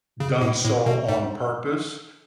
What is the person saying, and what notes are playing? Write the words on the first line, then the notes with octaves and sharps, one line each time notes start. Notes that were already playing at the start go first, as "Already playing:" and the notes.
done so on purpose.
C#3
A2
A2
B2
G#2